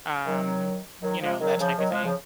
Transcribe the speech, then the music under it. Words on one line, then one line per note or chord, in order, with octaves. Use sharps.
um, you know, that type of thing,
D#3 F#3
D#3 F#3
F3 G#3
D#3 F#3
F#3
C#3 F3
D#3 F#3
F3 G#3
C#3 F3